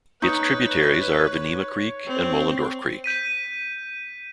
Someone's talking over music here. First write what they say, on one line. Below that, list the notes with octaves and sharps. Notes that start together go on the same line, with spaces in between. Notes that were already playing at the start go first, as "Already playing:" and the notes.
Its tributaries are Venema Creek and Mohlendorph Creek.
D#4 B4 C#5 C#6 G6
C4
G6 B6 D#7